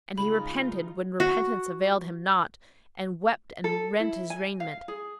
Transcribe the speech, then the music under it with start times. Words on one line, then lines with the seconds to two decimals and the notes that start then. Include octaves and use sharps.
And he repented when repentance availed him naught, and wept and rent his raiment.
0.18 C#3 G#3 D#4 F4 B5
1.20 F#4
3.64 A4
4.00 E4
4.30 G#5
4.60 F5
4.88 G#4